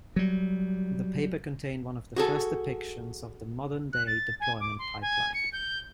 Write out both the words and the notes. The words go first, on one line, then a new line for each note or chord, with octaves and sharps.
The paper contained one of the first depictions of the modern-day deployment pipeline.
F#3 G3
F#4 G#4 A4
F#6
A6
G#5
D6
C6
G#5
C#7
G6